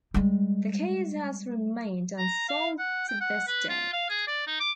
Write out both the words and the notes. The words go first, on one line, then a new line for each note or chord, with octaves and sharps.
The case has remained unsolved to this day.
G3 G#3
A#5
F5
F#5
G5
F#5
B4
F4
F5
G#4
D5
D#4
D6